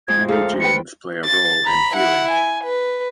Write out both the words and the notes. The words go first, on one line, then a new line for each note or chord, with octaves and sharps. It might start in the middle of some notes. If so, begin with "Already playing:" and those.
Many genes play a role in healing.
F2 G#3 C4 G#6
D2 G#4 A4 F5 A#5
F4 B4 G5 C#7
A6
A#5 B5
E4 F#5
G#5
B4